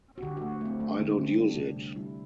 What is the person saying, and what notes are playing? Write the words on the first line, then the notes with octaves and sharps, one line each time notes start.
I don't use it.
F#4
D3 G4
A3 F#4
A3 C4
A3 D4
D3
C4
D3
G3 D4
C3
C3
G3 E4